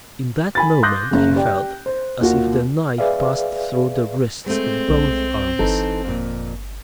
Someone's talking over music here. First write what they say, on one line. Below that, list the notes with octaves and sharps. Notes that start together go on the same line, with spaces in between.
In that moment he felt as if the knife passed through the wrists of both arms.
G#5 B5 A6
C6 D6 D#6 F#6 G6 A#6
F#1 C#3
G4 D5 G5
C5
D#2 F4 F#4
G#4 B4 D5 E5 F5
G#3 A3 C4
B1
G1 E3 D#4 A4
F2 A#2